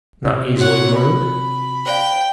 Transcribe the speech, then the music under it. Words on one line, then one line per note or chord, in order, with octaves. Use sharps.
"Not easily moved?"
C3 D5
F#4 C#5 F#5
F4 B5
C5 D5 F5 G5